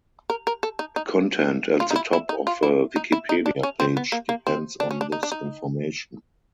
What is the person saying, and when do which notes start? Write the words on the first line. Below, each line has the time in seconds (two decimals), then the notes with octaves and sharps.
The content at the top of a Wikipedia page depends on this information.
0.30 A#4
0.47 A#4
0.63 A4
0.79 D#4
0.96 D#4
1.80 F4
1.91 D#4
1.96 E4
2.13 E4
2.29 D#4
2.47 F4
2.63 E4
2.96 D#4
3.12 E4
3.29 D#4
3.46 D4
3.63 C#4
3.80 C4
3.97 B3
4.12 A#3
4.29 A#3
4.47 C4
4.80 D4
4.91 C#4
5.01 D4
5.12 D#4
5.23 D4
5.32 D#4